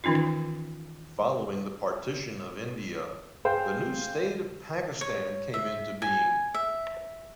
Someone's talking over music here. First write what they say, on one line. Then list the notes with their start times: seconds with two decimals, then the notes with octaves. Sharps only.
Following the partition of India, the new state of Pakistan came into being.
0.04 D#3 E3 C#4 D#4 F4
3.45 G#4 C5 F5 G5
5.01 C#5
5.54 E5
6.02 G#5
6.54 E5